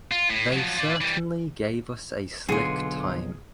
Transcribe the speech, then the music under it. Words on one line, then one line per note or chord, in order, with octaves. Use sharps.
They certainly gave us a slick time.
F4
A2
F3 F#3
F4 D5
E3 G3
B1 D3 F4 G#4 G#5